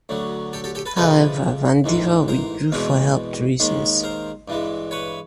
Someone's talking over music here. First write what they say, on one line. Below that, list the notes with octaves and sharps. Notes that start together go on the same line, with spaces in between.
However, Vandiver withdrew for health reasons.
D2 D3 F#3
G4 A4
G4 A4
G4 A4
A4 B4
F2 C3 F3 G#3 A4 B4
A1 G#2 E3 G#3
A#4 C5
E2 B2 G#3 C4
D#2 D#3 G#3
A#4 C5
G2 E3 G#3
B4 C#5